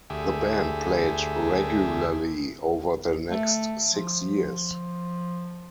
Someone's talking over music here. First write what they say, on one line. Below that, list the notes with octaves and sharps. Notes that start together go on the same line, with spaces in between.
The band played regularly over the next six years.
D2 G4 G#4 E5
A3
F3